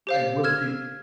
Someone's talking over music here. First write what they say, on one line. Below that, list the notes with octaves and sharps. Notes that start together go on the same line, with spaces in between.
and will she m
G4 C5 F5
E6 F6 G#6 E7